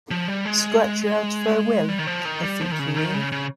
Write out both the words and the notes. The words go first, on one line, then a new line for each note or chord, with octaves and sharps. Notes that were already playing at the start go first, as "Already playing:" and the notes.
Scratch you out of her will, I think you mean?
F3
G3
G#3
G3
D#3
F3
D#3
G3
F3
D#3
C#3
D#3
C#3
C#3